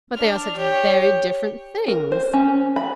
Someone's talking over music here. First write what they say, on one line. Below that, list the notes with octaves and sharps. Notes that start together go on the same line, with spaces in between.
"But they are such very different things!"
D4 F6
G4 C#5
A#4
C5
C#4
B5